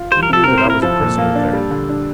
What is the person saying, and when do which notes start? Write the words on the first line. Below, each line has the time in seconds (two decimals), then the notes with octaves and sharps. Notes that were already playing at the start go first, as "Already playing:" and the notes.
He knew that I was a prisoner there.
Already playing: F4
0.12 G3 C5
0.23 A#4
0.30 C3 A4
0.44 C4 A#4
0.58 C5
0.65 E4 A#4
0.82 F3 A4
1.00 A#2
1.18 A#3
1.35 D4
1.53 G3
1.71 D3
1.89 D4